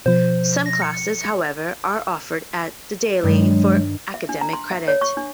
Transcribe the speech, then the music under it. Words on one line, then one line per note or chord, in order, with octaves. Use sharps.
Some classes, however, are offered at The Daily for academic credit.
B2 F3 C5
A#6
C#7
G2 D#3 F#3 G#3
E5
D4
A#5
C6
E5
C#5
C#6
D4